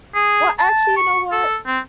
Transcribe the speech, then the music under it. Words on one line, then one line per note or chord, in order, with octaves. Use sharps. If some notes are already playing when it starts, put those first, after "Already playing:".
Well, actually, you know what?
G#4
A5
C#6
A4
C4